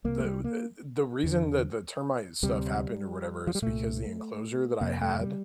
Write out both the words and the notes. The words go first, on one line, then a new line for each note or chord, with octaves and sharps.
The w the the reason that the termite stuff happened or whatever is because the enclosure that I had
C2 C3 A#3
A3
G3
A#3
E2 D3
D2 C3 G3
F3
G3
C2 A#2 A3
F2 C3 A#3
A3
G3